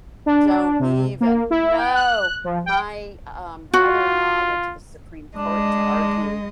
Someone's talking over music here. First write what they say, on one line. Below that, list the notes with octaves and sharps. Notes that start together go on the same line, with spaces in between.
don't even. No! My um, brother-in-law went to the Supreme Court to argue
D4
C3
A#3
E4
G5
F#6
F3
G5
F4 F#4
G#3 D4 D#5